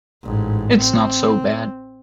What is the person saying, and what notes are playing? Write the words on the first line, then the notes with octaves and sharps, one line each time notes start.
It's not so bad.
A1 G#2
C4